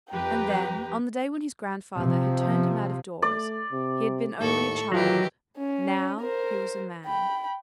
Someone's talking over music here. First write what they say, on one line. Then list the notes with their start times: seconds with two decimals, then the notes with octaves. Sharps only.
And then, on the day when his grandfather had turned him out of doors, he had been only a child, now he was a man.
0.11 F2 G4 B4 G5 A#5
1.99 C3 F3
3.22 A3 D5
3.72 C3
4.38 D#2 A2 A4 C#6
4.92 D#3 E3 F#3 F4 G4
5.58 C#4
6.20 A#4 C5
7.06 G5 B5